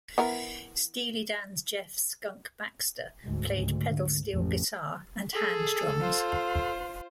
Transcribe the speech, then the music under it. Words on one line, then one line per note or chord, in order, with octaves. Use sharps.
Steely Dan's Jeff "Skunk" Baxter played pedal steel guitar and hand drums.
E3 B3 A#4
D2 G#2
C#2
D3
A1 F2
G#4 A4
F4 C5